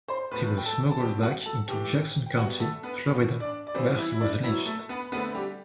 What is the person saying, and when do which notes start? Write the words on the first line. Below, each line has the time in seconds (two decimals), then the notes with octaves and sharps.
He was smuggled back into Jackson County, Florida, where he was lynched.
0.08 C5 C6
0.31 A2 F#3 B3 B4 B5
0.58 G5
0.66 A4 A5
0.92 A5
1.00 B2 G3 C4 G4 G5
1.23 F#4 F#5
1.46 A4 A5
1.68 A2 E3 A3 G4 G5
2.26 G5
2.37 B2 G3 B3 F#4 F#5
2.60 A3 A4
2.83 B3 B4
3.06 A2 E3 B3
3.40 D4 D5
3.67 D5
3.74 E3 G3 B3 C4 C5
3.97 E4
4.11 E4
4.20 D4
4.43 B2 F#3 B3 E4
4.66 A3 A4
4.89 B3 B4
5.12 D3 A3 B3 C4 B4
5.35 G3 G4